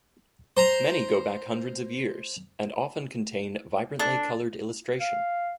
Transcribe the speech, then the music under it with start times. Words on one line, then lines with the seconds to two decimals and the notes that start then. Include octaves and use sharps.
Many go back hundreds of years and often contain vibrantly colored illustration.
0.57 C5 A#5
3.99 D4 A4
5.00 F5